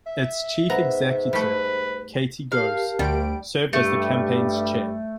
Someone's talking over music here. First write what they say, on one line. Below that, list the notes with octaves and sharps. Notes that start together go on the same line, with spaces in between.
Its Chief Executive, Katie Ghose, served as the campaign's chair.
E5
G#2 B3 A#5
G3 A3 B4
G4 A#4 F5 A5
D2 G3 D7
G2 G3 A3